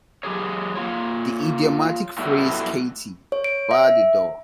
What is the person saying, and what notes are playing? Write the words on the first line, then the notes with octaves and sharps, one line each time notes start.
The idiomatic phrase Katy, bar the door!
F#3 G4 G#4 C#5
A#3 F4 C#5
A2 F#3 G3 A3 B3 E4
C#5
D7
E5